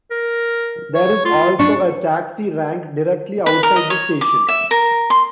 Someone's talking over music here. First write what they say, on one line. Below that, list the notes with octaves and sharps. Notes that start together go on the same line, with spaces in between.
There is also a Taxi rank directly outside the station.
A#4
C#5
F4
D4 C#6
B4
A#4
D#5
C#5
D6
E5
A#4
C6